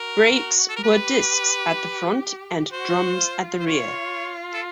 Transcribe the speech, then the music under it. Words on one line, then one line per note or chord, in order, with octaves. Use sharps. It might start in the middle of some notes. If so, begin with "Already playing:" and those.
Brakes were discs at the front and drums at the rear.
Already playing: F#4 A#4
A4
A#4
G4 B4
F#4 C5
F4
C5
C#5
A4